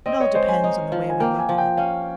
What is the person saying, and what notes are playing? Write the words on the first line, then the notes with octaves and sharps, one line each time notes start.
It all depends on the way we look at it.
C4 D#5
C#5
G#3 C5
G#5
D#4
F3
G#5
A#3 G5
G#5
F3
G5
C#4 F5